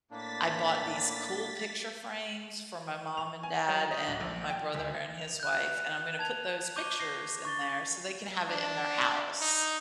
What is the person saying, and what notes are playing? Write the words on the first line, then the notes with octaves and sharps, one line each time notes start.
I bought these cool picture frames for my mom and dad, and my brother and his wife, and I'm gonna put those pictures in there so they can have it in their house.
A2 A#3 D4 A6 B6
F7
G#5
F#3
D#5
D1
A#1
G5
D2
F7
F#6 G6
A5 G#6 F7
C#6 D6 G6 D#7 G7
A#6 C7
C#6 A6 G7
D4
D#4